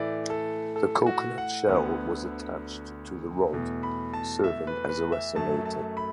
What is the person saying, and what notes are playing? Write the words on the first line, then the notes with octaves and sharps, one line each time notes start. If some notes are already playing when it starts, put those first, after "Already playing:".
The coconut shell was attached to the rod, serving as a resonator.
Already playing: A2 E3 A3 D5
A4
A4
F#4
F#5
D2 D3 B3
E2 B2 A3
B5
A5
E5
B4
B4
E5
F#2 F#3 A3 A5
A5
B5